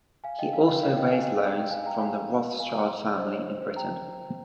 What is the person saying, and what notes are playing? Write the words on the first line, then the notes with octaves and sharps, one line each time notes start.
He also raised loans from the Rothschild family in Britain.
F5 G#5
D#5 G5
F5 G#5
D#5 G5
C#5 F5
D#5 G5
F5 G#5
D#5 G5
F5
D#5 G5
D#5 G5
F5 G#5
G5 A#5
F5 G#5
F5 G#5
G5 A#5
C5 D#5
C#5
C5
C5
G5 A#5